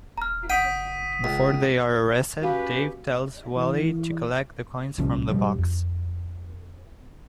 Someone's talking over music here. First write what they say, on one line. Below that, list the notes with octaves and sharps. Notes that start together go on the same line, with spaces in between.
Before they are arrested, Dave tells Wally to collect the coins from the box.
D#1 A#5 F6
F#1 F#5 G5 D#6 B6 D#7
C#2
C#4 F#4 G4 B4 F5
E3
D1 C2 F3 C#4
B2 F3 G3
F2